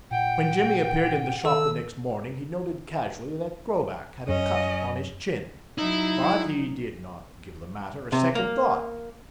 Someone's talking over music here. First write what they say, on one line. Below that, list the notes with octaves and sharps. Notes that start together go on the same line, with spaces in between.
When Jimmy appeared in the shop the next morning he noted casually that Krovac had a cut upon his chin, but he did not give the matter a second thought.
A#2 F#5 G5
D#3 A4 E6
F#2 C#4 D#5
F#3 D#4 E4
C3
A#3